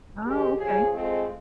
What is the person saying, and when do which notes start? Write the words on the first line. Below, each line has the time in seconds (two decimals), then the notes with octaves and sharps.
Oh, okay.
0.24 D#3 G#3 G4
0.57 C#3 F3 G#4
0.92 G#3 A3 C4 F4